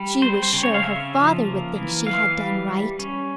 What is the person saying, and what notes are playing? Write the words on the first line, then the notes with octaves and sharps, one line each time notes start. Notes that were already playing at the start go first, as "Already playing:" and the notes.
She was sure her father would think she had done right.
Already playing: G3
C4 C5
C5
C#3
C#5
F5
C#3 E5
F3
A#3
E3
E3 F5
G3
G3
C#4